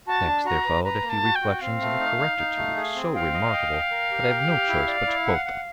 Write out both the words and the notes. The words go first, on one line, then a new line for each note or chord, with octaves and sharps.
Next there followed a few reflections of a correctitude so remarkable that I have no choice but to quote them.
F#4 A5
D4
F#4 A#5
B4
B4 A#5
A#3
A5
F#4
G5
F#4
C4 F5
A3
D#4
D#4
D#4
A3
G#4
C4
F5 G5
D#5
G5
G5
A#4
G4
G5
G4
E4
D5
E4
F#5
F#5